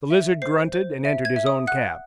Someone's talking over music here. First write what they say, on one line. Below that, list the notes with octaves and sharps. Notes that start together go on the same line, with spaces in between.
The Lizard grunted and entered his own cab.
E5
C5 C7
C5
E5
G#6
E5
D#6
F#5 F#6